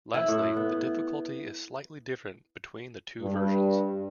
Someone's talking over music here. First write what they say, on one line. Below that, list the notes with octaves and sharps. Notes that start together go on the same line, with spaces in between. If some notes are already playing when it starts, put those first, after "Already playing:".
Lastly, the difficulty is slightly different between the two versions.
E4
A2
B3
G2